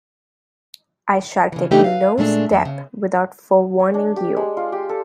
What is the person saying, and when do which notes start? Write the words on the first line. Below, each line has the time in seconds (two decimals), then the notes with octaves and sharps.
I shall take no step without forewarning you.
1.52 C#3 E3
1.71 C#3 E3 A3 D4 D#4 G4
1.84 B4 F5
2.18 A#2 G#3 A3 D4
2.51 F2 E5
2.65 C#3
3.80 C#5
3.94 D4
4.16 G4
4.36 G#3
4.57 F4
4.72 G4
4.89 A4